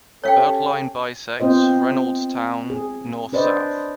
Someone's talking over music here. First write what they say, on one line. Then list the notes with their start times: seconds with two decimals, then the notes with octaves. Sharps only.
The BeltLine bisects Reynoldstown north-south.
0.24 C#4 G4 A4 C#5 F5 G5
1.40 B3 C4 F4 C5 D#5
2.70 G#4
3.33 D4 B4 C5 D5 D#5